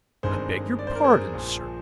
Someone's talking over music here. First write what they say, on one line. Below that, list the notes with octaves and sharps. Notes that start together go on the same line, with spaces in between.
I beg your pardon, Sir.
G1 G2 D#3 G#3 C4 G#4 C5
D5
C5
A#4
G#4 C5
A#1 A#2 F3